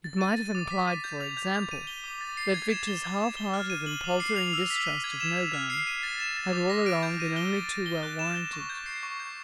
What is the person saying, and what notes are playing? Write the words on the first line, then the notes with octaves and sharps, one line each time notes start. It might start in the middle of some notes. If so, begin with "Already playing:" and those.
It might have implied, for example, that Victor's half-hearted and paltering distrust of Nogam had all along been only too well warranted.
A6
D#7
A6
D6
B6
D#7
G6
F7
G6
G6
D#7
G7
D6
A6
C7
G#6
E7
G7
G#6
E7
G7
F6
D#7
F#7
D6
C7
F7
E6
B6
D#7
G#6
E7
G#6
F6
C7
D#7
A6
E7
A6
D6
A#6
D7
G6
D#7
G7
A6
D#7
G7
F#6
E7
G7
C#6
G6
C7
C#6
G6